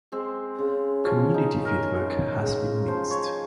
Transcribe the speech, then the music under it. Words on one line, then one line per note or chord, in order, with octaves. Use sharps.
Community feedback has been mixed.
G#3 C4
C#3
F3 C#4
D#4
C#3
A#4
G#3
C#3
F3 C5
C#5